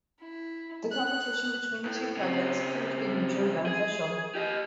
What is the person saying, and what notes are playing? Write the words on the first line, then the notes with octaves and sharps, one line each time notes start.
The competition between the two projects proved to be mutually beneficial.
E4
F#6
A2
C#3 C4
G#4
G4 D#5